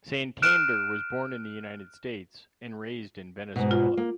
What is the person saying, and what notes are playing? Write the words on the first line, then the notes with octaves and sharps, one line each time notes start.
Santander was born in the United States and raised in Venezuela.
F6 F#6 D7 E7
G#2 B2
F4
A#3